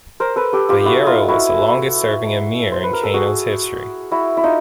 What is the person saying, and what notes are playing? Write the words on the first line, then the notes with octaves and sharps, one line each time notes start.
Bayero was the longest-serving emir in Kano's history.
A#4 C5
A4 B4
G4 A4
F4 G4
E4 F#4
D#4 F4
E4 F#4
C5
B4
A#4
A4
F#4 G#4
E4 F#4
E4
D#4 F4